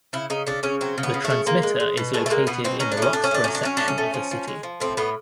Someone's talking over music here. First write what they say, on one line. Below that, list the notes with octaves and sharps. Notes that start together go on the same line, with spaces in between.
The transmitter is located in the Roxborough section of the city.
C#3 E4
C#3 D#4
C#3 D4
C#3 C#4
F#3 C4
C#3
B3
C#3
A3
C#3
G#3 A#3
G#3
G#3
B2
G#3 A3
A3
G#3 A#3
B2 B3
B2 C4
F#3 C#4
D4
A2 C#4
A2 D4
C#4
A2 D4
F#3 C#4
D4
F#3 C#4
A2 D4
C#4
A3
F3
F3
G#3
F3
A2 C4
A2 B3